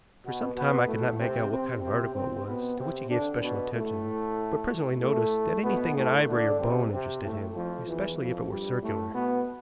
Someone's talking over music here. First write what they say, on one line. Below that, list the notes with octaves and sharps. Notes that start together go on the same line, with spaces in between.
For some time I could not make out what kind of article it was to which he gave special attention, but presently noticed that anything in ivory or bone interested him, especially if it were circular.
B2 B3
B2 B3
A2 A3
C3 C4
C3 C4
C3 C4
C3 C4
B2 B3
C3 C4
D3 D4
B2 B3
A2 A3
A2 A3
B2 B3
A2 A3
D3 D4
C3 C4
C3 C4
A2 A3
F2 F3
E2 E3
F2 F3
G2 G3
A2 A3
B2 B3